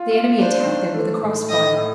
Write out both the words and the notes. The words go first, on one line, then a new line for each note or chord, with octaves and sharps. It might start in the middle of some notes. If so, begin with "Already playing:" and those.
The enemy attacked them with a cross-fire.
Already playing: F4
F4
D4 C5
D#3
A3
A2
A2 D#5
A2